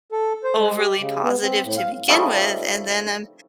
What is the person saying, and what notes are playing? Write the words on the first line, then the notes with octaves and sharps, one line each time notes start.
overly positive to begin with, and then I'm
A4
C5
G#3
G4
C#3
B3
C4
A2
F5
C#3 F3 G3 A3 D#4 F4